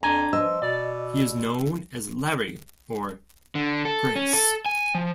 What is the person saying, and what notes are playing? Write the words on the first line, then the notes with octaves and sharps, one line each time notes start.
He is known as "Larry" or "Grase".
F2 D4 G#5 A#5
F3 D#5 E6
B2 D5
D3
A4
C#4
A4
G#5
F3